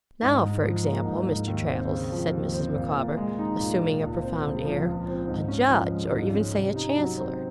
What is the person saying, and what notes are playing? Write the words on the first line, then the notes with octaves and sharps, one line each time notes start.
Now, for example, Mr. Traddles,' said Mrs. Micawber, assuming a profound air, 'a judge, or even say a Chancellor.
G#2
G#2
F3
A#3
G#2
G#2
D#2
C4
C#3
F3
D#2
C4
A#2
A#2
G#3
D#4
A#2
A#2
C#2
C4
C#3
F3
C#2
C4
G#2
C#4
F3
G#3
G#2
C#4
C3
D#4
F#3
C4